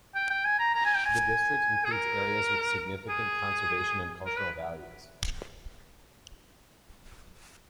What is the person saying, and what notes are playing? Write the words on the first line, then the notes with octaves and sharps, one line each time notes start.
The district includes areas with significant conservation and cultural values.
G5
G5
G#5
A#5
A#5
G#5
G5
G#5
G#4
A#4
G#4
A#4
B4